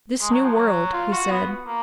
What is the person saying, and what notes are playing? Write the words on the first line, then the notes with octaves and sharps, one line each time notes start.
"This new world," he said.
G#3
F#3
F3
F#3
F4
F#4
B3
A#3